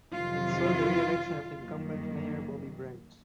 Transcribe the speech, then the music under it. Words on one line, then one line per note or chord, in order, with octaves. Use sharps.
It saw the reelection of incumbent mayor Bobby Bright.
F2 C3 D#3 F#3 F4
F#2 D#3 G3 A#3